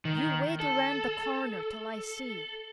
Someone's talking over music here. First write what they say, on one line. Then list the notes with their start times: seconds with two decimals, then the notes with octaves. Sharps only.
"You wait around the corner till I see."
0.05 D#3
0.60 A4